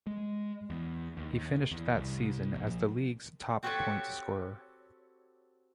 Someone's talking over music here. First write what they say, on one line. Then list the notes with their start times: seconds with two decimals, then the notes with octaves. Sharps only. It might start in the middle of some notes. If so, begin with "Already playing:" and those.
He finished that season as the League's top point scorer.
0.07 G#3
0.70 E2
1.17 D#2
1.32 D#2
1.71 E2
1.95 C2
2.55 A#1
3.63 C4 F#4 G4 A4 B4 C#5